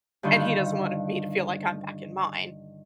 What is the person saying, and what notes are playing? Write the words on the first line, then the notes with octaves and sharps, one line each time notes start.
and he doesn't want me to feel like I'm back in mine,
G2 D3 D#3 F4 G6